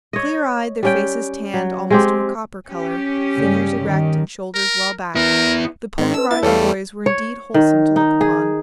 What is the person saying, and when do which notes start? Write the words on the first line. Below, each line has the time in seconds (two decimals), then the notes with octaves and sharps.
Clear-eyed, their faces tanned almost to a copper color, figures erect and shoulders well back, the Pony Rider Boys were indeed wholesome to look upon.
0.13 C#5 D#5
0.83 G3 C#4 G5
1.54 F#3
1.90 G#3 C4 G4
2.68 C#4 G4
3.36 G2 C#3 G3
3.84 D#3
4.54 A#4
5.15 B3 E4 A#4
5.98 G#2 D#3 C#4 D#5
6.14 D#4 A4 B4 E6
6.31 E4 A6
6.43 E2 G3 A3 A4 C#5 F5
7.06 C#5
7.54 D#3
7.96 D#4
8.21 G#4